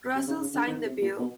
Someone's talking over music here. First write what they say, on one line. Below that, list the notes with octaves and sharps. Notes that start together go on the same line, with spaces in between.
Russell signed the bill.
C3
C#3
C#3
D3
D#3
C3
A#2
B2